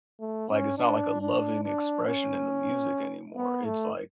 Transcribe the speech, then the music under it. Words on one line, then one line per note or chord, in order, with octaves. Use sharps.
Like, it's not like a loving expression in the music anymore, it's like,
A3
C#4
D4
D4
D4
C#4
B3
A3